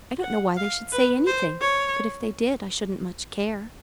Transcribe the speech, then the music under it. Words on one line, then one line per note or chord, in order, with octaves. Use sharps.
"I don't know why they should say anything, but if they did I shouldn't much care."
F#5
F5
B4
C5
C#5